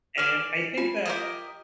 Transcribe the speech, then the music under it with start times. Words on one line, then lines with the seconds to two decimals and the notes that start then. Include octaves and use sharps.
And I think that
0.18 G#4 B4 D5
0.77 F4 G#5
1.06 G4 A#4 D#5